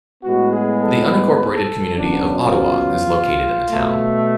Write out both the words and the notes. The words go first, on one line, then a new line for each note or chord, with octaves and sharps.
The unincorporated community of Ottawa is located in the town.
A2 G#3 B3 F#4
G#4
A4
B4
A4
F#2 C#3 F#3 B3 D4
F4
B2 A3